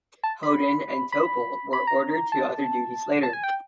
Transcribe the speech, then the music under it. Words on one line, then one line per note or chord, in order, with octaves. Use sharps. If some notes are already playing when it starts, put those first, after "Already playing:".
Hoden and Toeppel were ordered to other duties later.
A5
B5
B5
B5
A#5
A5
A5
G#5
G5